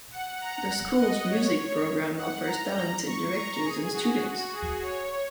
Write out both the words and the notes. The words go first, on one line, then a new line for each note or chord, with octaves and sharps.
The school's music program offers talented directors and students.
F#5
A#5
F#5
D#5
C#5
F#5
A#5
A#5
C#6
A#5
G#4
F#4
F#4
G#4
C#5